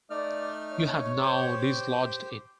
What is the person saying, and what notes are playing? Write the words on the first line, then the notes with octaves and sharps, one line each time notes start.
You have now dislodged it.
A3 D#4 D5 F6
C#5
G4 C5 G5